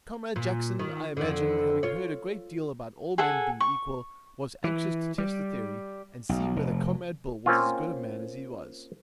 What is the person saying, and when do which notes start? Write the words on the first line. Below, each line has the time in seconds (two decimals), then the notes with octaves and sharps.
'Comrade Jackson, I imagine, having heard a great deal about all men being equal, was anxious to test the theory, and see whether Comrade Bill was as good a man as he was.
0.36 A#2
0.79 D#3
1.17 F2 D3
1.83 F4 C#5
3.18 G#4 A4 F#5 G#5
3.60 C#6
4.64 E3
5.18 G3
6.29 B1
6.56 F1
7.46 A#3 C4 C#4 F4